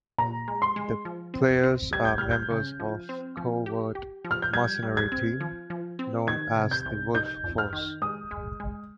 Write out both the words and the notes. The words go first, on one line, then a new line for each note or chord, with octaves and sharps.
The players are members of a covert mercenary team known as the "Wolf Force".
A#2 A#5
G#3
C6
G#3
F3
C4
C4
G3 G#6
G6
G3 F6
G6
C#3
F3
C4
F3
G4
G4
F3
F6
G6
G3 G#6
G3
G#6
C4
F3
F3
C4
D#3 G#6
C3
G6
C2
D#4 G6
F2
F6
D#3
G#3 D#6
G#3
G#3